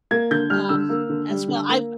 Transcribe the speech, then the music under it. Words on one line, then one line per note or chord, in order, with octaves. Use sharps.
um, as well, I've
A#3 G#6
D3 G6
G3 F6
D3 E6
A#3
D3
G3
D3
A#3